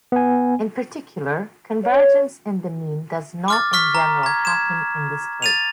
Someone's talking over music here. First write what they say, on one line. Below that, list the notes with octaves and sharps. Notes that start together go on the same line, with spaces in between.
In particular, convergence in the mean does not in general happen in this case.
B3 G#5
C#5
D6 F6 A6
C#6 F6 B6
A#5
A#5 G#6
G#6 E7
A6 D#7 F7